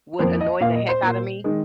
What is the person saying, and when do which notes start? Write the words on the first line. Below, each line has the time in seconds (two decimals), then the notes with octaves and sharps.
would annoy the heck out of me.
0.19 F2 F3 A#3 C5
0.41 D#5
0.61 A#2 A#3 F5
0.75 D#5
0.89 C5
1.03 A#2 A#3
1.44 D#3 G#3